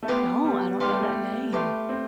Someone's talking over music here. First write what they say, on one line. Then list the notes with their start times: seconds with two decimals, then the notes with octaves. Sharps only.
I don't, I don't know that name.
0.03 A3
0.08 B3 G4 B4 F5 C6
0.45 G3
0.80 G3 G4 B4 F5 C6
0.91 A3
1.02 G3
1.52 A3 G4 B4 F5 C6
1.89 C4